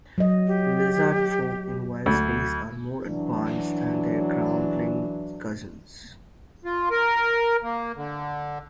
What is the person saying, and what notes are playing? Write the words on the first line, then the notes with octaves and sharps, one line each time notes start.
Lizardfolk in wildspace are more advanced than their groundling cousins.
F#3 D#5
G4
D2
E3 F#3 D4
F4
A#4
A#3
D3